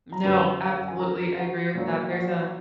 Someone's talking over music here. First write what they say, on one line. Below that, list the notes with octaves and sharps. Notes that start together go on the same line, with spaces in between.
No, absolutely, I agree with that. There's um
A#5
F#2 D3 F#3 B4 B5
F5
F#5
G#5
A#4 A#5
F#4 F#5
A#2 F#3 A#3
F#4 F#5